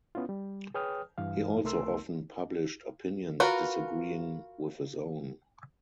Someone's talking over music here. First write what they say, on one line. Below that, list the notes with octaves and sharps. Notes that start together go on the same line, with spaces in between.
He also often published opinions disagreeing with his own.
B3 C#4 E4 F4
G3
G#4 B4 C#5 G5 D#6 F6
G2 E3 F5
C2 A3 A#4 C6 E6
F4 F#4 A#4 B4